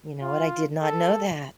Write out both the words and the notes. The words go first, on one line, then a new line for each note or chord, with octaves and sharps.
You know what? I did not know that.
F4
A4